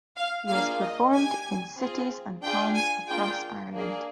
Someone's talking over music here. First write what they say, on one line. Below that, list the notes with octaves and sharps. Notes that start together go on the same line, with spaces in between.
He has performed in cities and towns across Ireland.
F5
A#3 D4 F4 G#4 F5
D#5
D4 G4 G#5
C4 F4 G#4
D4 F4 G#4 G5
G#5
A#3 D4 F4 G#4 G5
A#3 D4 G#4